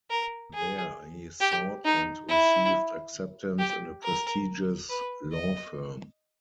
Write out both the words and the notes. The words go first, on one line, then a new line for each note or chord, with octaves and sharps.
There he sought and received acceptance in a prestigious law firm.
A#4
G#4
G4
D#4
E4
G4
A#4
B4
D#5